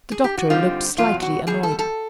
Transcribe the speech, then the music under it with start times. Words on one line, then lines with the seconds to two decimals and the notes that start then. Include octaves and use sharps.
The doctor looked slightly annoyed.
0.12 G#4
0.24 G4
0.37 F#4
0.50 D3 G3 C4 D#4 F4
0.98 E2 B2 F#3 F4
1.22 F#4
1.47 E2 B2 G3 G#4
1.63 A4
1.79 A4